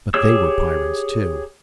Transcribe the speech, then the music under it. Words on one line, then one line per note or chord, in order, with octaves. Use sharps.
But they were Pyrrans, too.
G4 G#4 C#5 E6